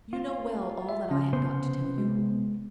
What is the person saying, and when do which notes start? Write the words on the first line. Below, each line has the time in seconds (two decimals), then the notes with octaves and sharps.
You know well all that I have got to tell you.
0.13 F4
0.89 E5
1.11 C#3 C#4
1.33 C3 B3 C5
1.98 G#3